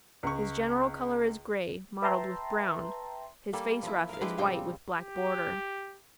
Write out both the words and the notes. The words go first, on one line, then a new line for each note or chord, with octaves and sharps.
His general color is gray, mottled with brown. His face ruff is white with black border.
C#2 C#6
B4 E5 G5 A5 A#5 C6
G3 A#3 A4
F3 E4
A#4 F5
G#3 D4 E4 G4 B4
A#2 C#3 F3 G3 C4 G5
G4